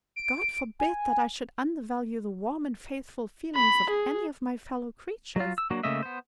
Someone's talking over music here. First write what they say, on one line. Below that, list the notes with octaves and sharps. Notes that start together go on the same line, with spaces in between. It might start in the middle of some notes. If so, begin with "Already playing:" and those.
God forbid that I should undervalue the warm and faithful feelings of any of my fellow-creatures!
D7
G#5
B5
G#4
F#3 F4
E6
F#3 A#3 D4 F#4
C#3 A3 A#3 D#5 E5
B3 C5